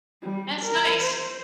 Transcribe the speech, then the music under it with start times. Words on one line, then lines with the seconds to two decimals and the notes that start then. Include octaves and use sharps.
That's nice.
0.22 G3
0.61 A#4
1.01 C5